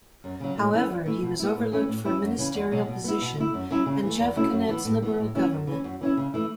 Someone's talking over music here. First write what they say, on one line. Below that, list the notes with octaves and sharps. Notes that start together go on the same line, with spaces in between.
However, he was overlooked for a ministerial position in Jeff Kennett's Liberal government.
F#2
C#3 F#3
A2
E3 C#4 E4
E2
E3 A3 E4
B2
B3 E4
A2
E3 A3 C#4 E4
A2
E3 C#4 E4
F#2
C#3 E3 C#4
E2
B2 F#3
B2
B3 E4
B2
A3 E4
F#2
F#3 C#4 E4
C#3
E3 A3
E2
B2 A3 C#4 E4
F#2
E3 B3
A2
E3 B3
A2
E3 C#4 E4
F#2
E3 C#4
F#2
E3 C#4 E4
C#3
E3 A3 E4